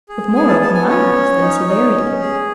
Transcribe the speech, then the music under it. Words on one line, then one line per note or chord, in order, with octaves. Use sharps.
"With more of mildness than severity."
G#4
B3 G#5
A5
B3 A5
G#5
C#4 C#5
C#4
D#4
D#4
C#4
G#4